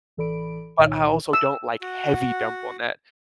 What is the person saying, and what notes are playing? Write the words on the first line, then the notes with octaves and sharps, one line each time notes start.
But I also don't like heavy dump on that.
A1 E3 A4 D5 B5 D7
C2 A#2 D#3 D#4 C#5
E6
F#4 F#5